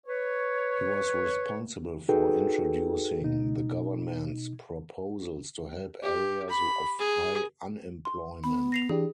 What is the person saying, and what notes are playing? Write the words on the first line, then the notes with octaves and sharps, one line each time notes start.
He was responsible for introducing the government's proposals to help areas of high unemployment.
B4 C#5
D#4 F#4 G#4 A4 B4 G5
B2 D#4
G4
B5
G#4
C6
B3 B5
A#6 C7 F7
E3 D4 G4 G#4